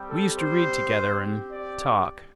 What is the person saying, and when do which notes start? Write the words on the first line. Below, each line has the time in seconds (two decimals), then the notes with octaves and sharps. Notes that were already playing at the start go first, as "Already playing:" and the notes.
We used to read together and... talk.
Already playing: G3 C4 G4
0.10 A4
0.39 C5
0.95 C4 G4
1.52 D5